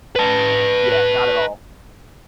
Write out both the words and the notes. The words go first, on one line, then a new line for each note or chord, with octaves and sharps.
Yeah, not at all.
B4 A5